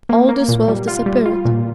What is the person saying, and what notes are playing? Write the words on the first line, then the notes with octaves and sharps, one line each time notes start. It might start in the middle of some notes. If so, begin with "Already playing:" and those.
All this wealth disappeared.
A#3
A#3
A#2
G3
F4
G3
F4
A#2